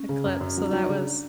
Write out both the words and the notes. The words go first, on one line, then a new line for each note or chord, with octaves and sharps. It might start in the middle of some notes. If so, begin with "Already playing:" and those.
eclipse, so that was
Already playing: C#4
C#3
F#2
F#2 C#4
F#3 D#4
F#3
C#3 D4